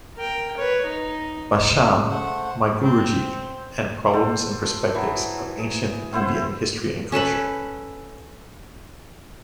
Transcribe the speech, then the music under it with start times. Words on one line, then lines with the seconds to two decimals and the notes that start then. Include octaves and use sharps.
Basham, My Guruji and Problems and Perspectives of Ancient Indian History and Culture.
0.18 A#4 G5
0.57 B4 C#5
0.86 D#4
1.76 C#3
2.11 A3 C5 F#5
2.81 C4
4.13 A4 C5 F#5
4.95 E3 F#3 G#4
5.59 G#4
6.13 C4 E4 C5 F#5
7.12 C#4 A4 B4 B5